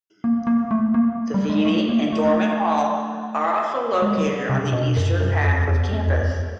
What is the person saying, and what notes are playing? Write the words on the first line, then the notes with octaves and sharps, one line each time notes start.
Deviney and Dorman Hall are also located on the eastern half of campus.
A#3
A#3
A3
A#3
G3
G#3
A3
A#3
A3
G#3
G3
C3
B2
F#2
F#2
F2
E2
F2
E2
F2